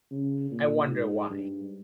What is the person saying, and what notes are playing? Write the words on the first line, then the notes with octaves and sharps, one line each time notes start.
I wonder why.
C#3
A#2
G#2
G2